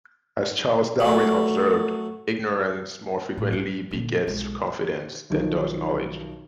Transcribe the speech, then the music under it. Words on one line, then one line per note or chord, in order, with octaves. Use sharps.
As Charles Darwin observed, ignorance more frequently begets confidence than does knowledge.
F#3 A3
A2
E4
A#2 D3
B1 G#3
B1 D#3 F3